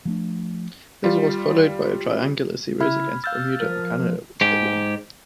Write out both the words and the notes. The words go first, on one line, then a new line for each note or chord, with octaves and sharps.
This was followed by a triangular series against Bermuda and Canada, which they won.
F3 A3 D4
G3 F4
C#3 E4 E5 B5 F6 G#6
F5 E6 F6 G6 A6
F3 A#4 F6
G#2 G4